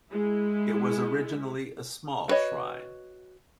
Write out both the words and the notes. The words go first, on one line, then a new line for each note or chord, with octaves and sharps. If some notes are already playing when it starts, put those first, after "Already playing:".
It was originally a small shrine.
G#3 E4
B3 F#4 B4 C#5 D#5